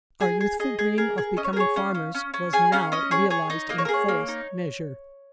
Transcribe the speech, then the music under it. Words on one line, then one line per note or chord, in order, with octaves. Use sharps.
OUR youthful dream of becoming farmers was now realized in fullest measure.
G#4 G#5
G#4
G#4 D#5
G#4
G#4 A#4
G#4
C#4 D#5
C#5
A#4
G#4 C#5
C#4 F5
C#4
C#4
C#4
G#4 G#5
C#4 F5
C#4 D#5
G#4 C#5
G#4 C#5
D#4
A#3 D#5
C#5
A#4
G#4
C#5
A#3
D#4